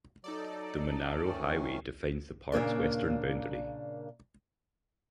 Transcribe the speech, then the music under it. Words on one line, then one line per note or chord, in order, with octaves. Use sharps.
The Monaro Highway defines the park's western boundary.
F#3 D#4 A4 D5
D2 D#3 C#4
A#2 C#3 A#3 D4